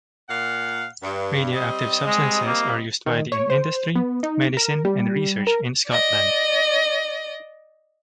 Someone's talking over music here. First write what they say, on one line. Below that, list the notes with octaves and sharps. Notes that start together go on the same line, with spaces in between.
Radioactive substances are used widely in industry, medicine and research in Scotland.
A#2 F5 F#5
G2
G3 C4 D#5
G#3
A#3
D#3
C#5
C5
B3
D#4
A#4
G3
A#4
D5 D#5